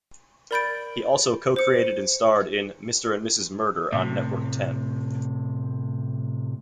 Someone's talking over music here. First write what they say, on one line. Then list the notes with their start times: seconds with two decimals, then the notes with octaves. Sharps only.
He also co-created and starred in "Mr and Mrs Murder" on Network Ten.
0.51 A#4 D5 B5 G6 A6 D7
1.56 C5 C#7
3.92 A2 C3